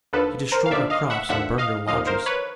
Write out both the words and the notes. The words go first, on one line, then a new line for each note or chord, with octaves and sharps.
He destroyed our crops, and burned our lodges.
D#2 D3 F3 A4 B4
A#4 C5
F5
D#2 D3 F3 D5 E5
D#5 F5
E5 F#5
D#2 D3 F3 E5 F#5
D#5 F5
D#2 D3 F3 D#5 F5
A#4 C5
B4 C#5